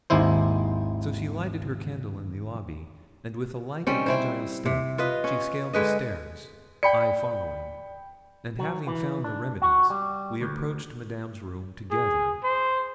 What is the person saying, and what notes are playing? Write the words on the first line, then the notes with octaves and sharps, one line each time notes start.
So she lighted her candle in the lobby, and with a light and agile step she scaled the stairs, I following; and having found the remedies, we approached Madame's room together.
G#1 D#2 G#3 E4 C5
D#3 G3 C4 C#4
C4 E4 C5
C3
F4 B4 D#5
C#4
D3 G#3 B4 D#5
D5 G5 B5 C#7
F#3
E3
D4
F#4
G3
D2
G#4
C5